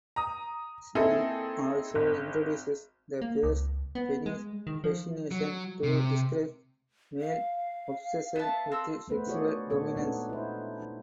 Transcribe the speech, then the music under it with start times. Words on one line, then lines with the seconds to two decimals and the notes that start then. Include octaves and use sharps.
She also introduces the phrase "penis fascination" to describe male obsession with sexual dominance.
0.16 A#5 D#6
0.95 A#3 C4 D#4 E4 G#4 A4
1.95 G#1
3.22 A#3
3.43 C#2
3.95 B3
4.26 G#3
4.67 D#3
4.84 F3
5.31 F#3
5.83 C3
7.21 F5
8.36 B3 E5 A5
8.72 C4 A4 E6
9.08 A3 B3 B4 C5
9.27 D4 F4 F#4 G#4 C#5 D5
9.70 A#2 B3 D4 C#5
9.97 G#3 B3 D4 D#4 A4
10.29 E4 C5
10.82 D#4